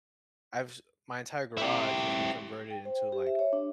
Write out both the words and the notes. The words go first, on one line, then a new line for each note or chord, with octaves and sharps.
I've s my entire garage has been converted into, like
E4 G4
G5
C5
G4
E5
C#5
D4